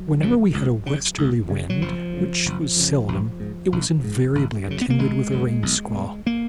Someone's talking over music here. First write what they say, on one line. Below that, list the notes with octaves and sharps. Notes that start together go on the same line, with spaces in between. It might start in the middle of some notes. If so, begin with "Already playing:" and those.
Whenever we had a westerly wind, which was seldom, it was invariably attended with a rain squall.
Already playing: F#3
F2 C#3
C#2
C#3
C#2
C#3
F#3
F#1 F3
F2 C#3
F#1
F2 C#3
A#1
G#2
A#1
G#2
G#1
F#2 C#3
B3
A#3
G#1 G#3
F#2 C#3
B1
B2
A#3